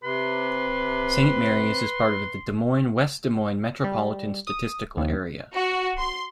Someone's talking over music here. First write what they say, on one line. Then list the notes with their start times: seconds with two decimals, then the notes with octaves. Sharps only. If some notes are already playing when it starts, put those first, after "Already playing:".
Saint Marys is part of the Des Moines-West Des Moines Metropolitan Statistical Area.
0.04 C3 B4 C6
3.84 G3
4.47 D#6
4.97 D#2
5.54 F#4
5.98 C6